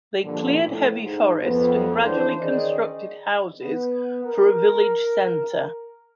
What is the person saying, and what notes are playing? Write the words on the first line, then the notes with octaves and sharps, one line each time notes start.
They cleared heavy forest and gradually constructed houses for a village center.
G2 A#2 D3 F3
A2
G#2
F2 B3
C#3 E3 D4 C5
D#3 C#4 G#4 D5 D#5
B3
A#4